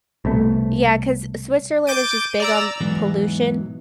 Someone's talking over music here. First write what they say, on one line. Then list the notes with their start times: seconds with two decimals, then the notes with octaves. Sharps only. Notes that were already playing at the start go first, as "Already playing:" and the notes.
Yeah, 'cause Switzerland is just big on pollution,
0.25 C2 B2 A3
1.87 D6 G6 A6 D7 D#7
2.40 D5 A#5 E6
2.81 E2 G#2 B2 E3 F#3